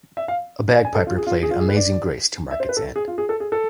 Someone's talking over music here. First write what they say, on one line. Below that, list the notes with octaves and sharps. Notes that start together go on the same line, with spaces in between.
A bagpiper played "Amazing Grace" to mark its end.
E5
F5
G#5
A4
F4
G#4
F4
G#4
F4
G#4
B4
D5
E5
C5
B4
A4
G#4
F4
G#4
A4
G#4
A4